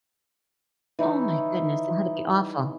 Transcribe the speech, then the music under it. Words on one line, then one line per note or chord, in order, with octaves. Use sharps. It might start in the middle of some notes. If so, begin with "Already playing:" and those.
Oh my goodness, that had to be awful.
E3 D#4 E4 C#5